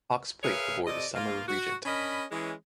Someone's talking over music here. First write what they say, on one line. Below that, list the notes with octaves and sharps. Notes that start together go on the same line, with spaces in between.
Cox Plate aboard Summer Regent.
G#4 A#4 B4 C#5 E5 F5
C3 A4 D5 D#5
A#3 F4
F#4
C#4 D4 A#4 D#5 B5
E3 G#3 C#4